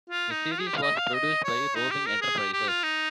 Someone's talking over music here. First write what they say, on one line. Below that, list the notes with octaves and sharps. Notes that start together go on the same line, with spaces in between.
The series was produced by Roving Enterprises.
F4
D#4
F4
G#4
G4
F5
D#5
F5
D#5
C#5
D#4
G4
A#4
G#4
G4
G4
F4
D#4